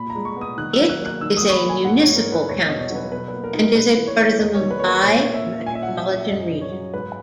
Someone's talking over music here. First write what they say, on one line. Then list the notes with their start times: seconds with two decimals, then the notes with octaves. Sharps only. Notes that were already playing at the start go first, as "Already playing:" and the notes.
It is a municipal council and is a part of the Mumbai Metropolitan Region.
Already playing: A#2 B5
0.10 A#5
0.15 G#3
0.25 C#6
0.36 B3 D#6
0.57 D#3 F#6
0.73 E6
0.79 F#3
0.89 F#6
1.00 A#3
1.06 F#6
1.21 D#3 E6
1.37 F#3 D#6
1.49 C#6
1.53 B5
1.63 A#3
1.69 G#5
1.84 G#2 F#5
2.01 C#5
2.06 E3
2.16 A#4
2.27 B3
2.32 B4
2.48 E2 C#5
2.64 B2 D#5
2.80 C#5
2.90 F#3 B4
3.12 B2 B4
3.28 A#3 B4
3.44 A#4
3.54 D#4
3.60 A#4
3.75 C#3 B4
3.97 E3
4.07 C#5
4.18 A#3
4.39 E2 D#5
4.54 C#5
4.60 D#3
4.71 B4
4.79 A#3 C#5
4.87 B4
5.02 A#2 C#5
5.24 A#3
5.34 E5
5.45 C#4
5.66 A#2 G#5
5.75 E5
5.83 F#5
5.88 F#3
5.97 E5
6.08 C#4
6.14 E5
6.30 F#2 D#5
6.50 C#3
6.61 C#5
6.72 F#3
6.93 G#2 B4